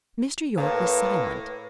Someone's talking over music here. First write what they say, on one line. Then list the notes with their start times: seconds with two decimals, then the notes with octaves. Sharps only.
Mr. Yorke was silent.
0.58 A2 A#3 B4